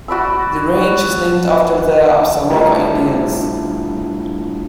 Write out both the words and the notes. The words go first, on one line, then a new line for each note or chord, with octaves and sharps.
The range is named after the Absaroka Indians.
F#4 D5 B5 E6
G3 A3 D4 E4 F4